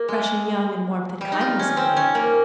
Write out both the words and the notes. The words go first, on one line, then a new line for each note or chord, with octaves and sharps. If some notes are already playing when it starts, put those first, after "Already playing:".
'Fresh and young in warmth and kindness, I mean.
Already playing: A#3
G#3
G3
D#4
F4
C#4
C4
C#4
A#3